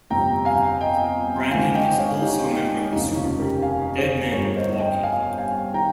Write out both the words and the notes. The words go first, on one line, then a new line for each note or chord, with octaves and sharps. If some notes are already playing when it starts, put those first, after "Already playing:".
Brandon is also a member of the supergroup, Dead Men Walking.
G1 F2 C3 G5 A#5
F5 G#5
D#5 G5
G#1 G#2 F3 F5 G#5
D#5 G5
C#5 F5
D#4 G4
F1 D#2 C#3 F3 D#4
C#4 F4
G4 A#4
F5 G#5
G#4 C5
G1 G2 F3 A#4 C#5
C5 D#5
D#5 G5
F5 G#5
F5 G#5
D#3 G5 A#5